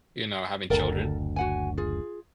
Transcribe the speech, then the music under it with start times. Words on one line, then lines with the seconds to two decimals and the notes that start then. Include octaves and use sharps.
you know, having children.
0.70 F#1 D2 A4 A#4
1.36 F#4 F#5 G#5
1.77 F4 G#4